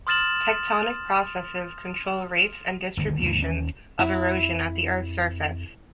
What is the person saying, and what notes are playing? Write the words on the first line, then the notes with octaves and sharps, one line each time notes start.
Tectonic processes control rates and distributions of erosion at the Earth's surface.
C6 D#6 F6 A6 E7 F#7
G1 D2 B2 D#3
D#2 G#2 D3
D#2 C#4
F2 E4